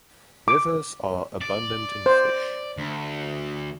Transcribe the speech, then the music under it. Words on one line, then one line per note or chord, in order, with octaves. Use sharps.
Rivers are abundant in fish.
D6
D5
C5
D2